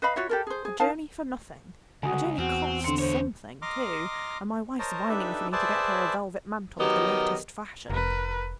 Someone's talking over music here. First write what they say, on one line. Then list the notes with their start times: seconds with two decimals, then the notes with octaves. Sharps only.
A journey for nothing; a journey costs something, too, and my wife's whining for me to get her a velvet mantle of the latest fashion.
0.02 B4 D#5 F5 B5
0.16 F4 F#4 C#5 E5
0.29 G4 A4 A#4
0.47 G#4 C5
0.65 G#4
0.80 D#4 A#4 F5 A5
2.03 C#2 D3 F#4 G#5 D#6
2.38 E2 C4 F#4
2.84 D3 C6 C#7
2.99 D2 C5 C#5
3.62 D#5 A#5 C6 D6 F6
4.79 A#4 C5 C#5 D#5 A5 A#5
5.09 D4 D#4 G4 A4 B4 E5
5.52 G#4 B4 C5 D5 E5 A5
6.79 D#3 F#3 B3 G4 A#4 D#5
7.90 F1 A#4 B4